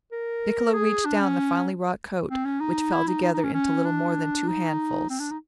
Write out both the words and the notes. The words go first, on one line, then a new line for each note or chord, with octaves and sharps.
Niccolo reached down the finely-wrought coat, which fell together into little more than two handfuls.
A#4
G#4
D4
C#4
C4
C#4
D#4
E4
D#4
D#4
D#4
C#4
C#4
D4
D#4
C4
D4
D#4